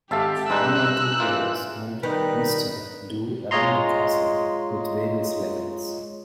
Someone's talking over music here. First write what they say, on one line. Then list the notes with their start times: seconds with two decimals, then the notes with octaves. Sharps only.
One or two players moved Mr. Do around a castle with various levels.
0.11 G#1 G4 A4 E5 F5 A5
0.50 G2 G3 G#3 D#4 E6 F#6
1.20 E3 A#3 F4
2.03 D#3 G3 B3 D#4 A#4 B4
3.51 G#3 F4 C#5 D#5 A#5 C6